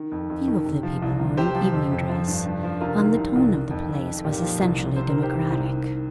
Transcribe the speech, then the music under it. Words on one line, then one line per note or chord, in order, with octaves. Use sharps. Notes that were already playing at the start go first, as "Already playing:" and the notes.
Few of the people were in evening dress, and the tone of the place was essentially democratic.
Already playing: D#3
F2
F2
D#3
C3
F3
C2
C2
C3 G4 C5
F3
F2
F2
F3
G2
G2
F3
C3 F4 A#4
D#3
C2
C2
D#3
F2
F2
D#3
A#2 G4
F3
C2
C2
C3 C5
A#4
D#3
G4 C5
C2
C2
D#3